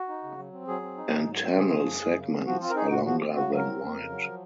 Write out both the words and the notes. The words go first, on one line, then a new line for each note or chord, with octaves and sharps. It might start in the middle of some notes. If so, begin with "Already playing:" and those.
Antennal segments are longer than wide.
Already playing: F#4
D#4
C#3
F#3
C4
F#3 G#4
C4
D#4
G#2
F#3
C4
C#3 G#4
F3
F#2
F#2
C#3
F3
F3 F#4
C4 F4
A#4
D#4 G#4
A#2 F#4
F3 F#4
C4
C#3 F#4
F#3
A#4
C4
F2
C#3
F#3
F3